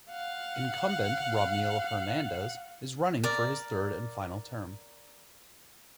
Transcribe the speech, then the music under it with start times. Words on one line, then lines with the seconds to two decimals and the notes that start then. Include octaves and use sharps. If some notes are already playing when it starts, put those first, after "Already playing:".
Incumbent Ramil Hernandez is running for his third and final term.
0.10 F5 F#5
3.23 A#4 D5